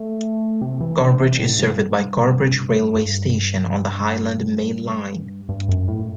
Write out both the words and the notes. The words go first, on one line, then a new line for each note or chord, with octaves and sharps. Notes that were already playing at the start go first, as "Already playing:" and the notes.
Carrbridge is served by Carrbridge railway station on the Highland Main Line.
Already playing: A3
C3
E3
D3
C3
A2
G2
G2
G2
F#2
A2